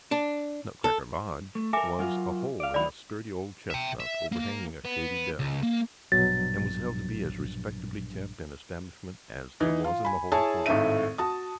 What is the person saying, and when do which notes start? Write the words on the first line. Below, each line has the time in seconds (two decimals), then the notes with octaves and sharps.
Nutcracker Lodge was a hole in a sturdy old chestnut overhanging a shady dell, and was held to be as respectably kept an establishment as there was in the whole forest.
0.11 D4
0.84 A4
1.55 A3
1.73 A4 A#4 E5 G#5 D6
1.99 F#3 F4 A#4
2.60 D5 F5
2.74 D#3 E3 F#3 D5 B5
3.70 E5 G5
4.00 E5
4.32 A#3
4.85 B3
5.39 C#2
5.63 A#3
6.12 A#1 G2 B2 F#3 A6
9.60 E3 D#4
9.84 F4
10.05 G#5 B5
10.32 E4 G#4 C#5 G#5 A5
10.66 G#1 A2 A3 D#4 E5 D#7
11.18 F#4 A5 D#6